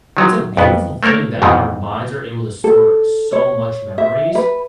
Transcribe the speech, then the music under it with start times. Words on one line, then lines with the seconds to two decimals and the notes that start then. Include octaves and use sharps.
it's a beautiful thing that our minds are able to store so much memories,
0.17 D#3 F#3 G#3
0.57 F2 B3
1.03 A3 A#3 A4 A#4 C#5
1.42 F2 G#2 B2 D#3 E3
2.64 A4
3.33 C#5
3.98 E5
4.35 B4